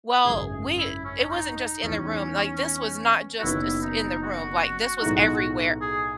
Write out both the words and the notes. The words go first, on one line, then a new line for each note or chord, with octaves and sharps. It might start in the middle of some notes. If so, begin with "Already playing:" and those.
Well, we it wasn't just in the room, like, this was not just is in the room, like, this was everywhere,
G#1 F#2 C#3 G#4
E4
C#4
D#4
D#4
E2 D#3 G#3 C#4 D#4
F#4
F#1 F#2 D#3 F#3 B3 E4
D#4
F#4
B1 A2 G#3 B3 D#4
G#4